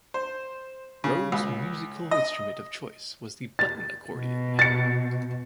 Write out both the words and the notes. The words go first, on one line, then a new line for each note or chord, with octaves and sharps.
Rhodes musical instrument of choice was the button accordion.
C5
C#3
C#2
D#5
A6
B2
A6 C#7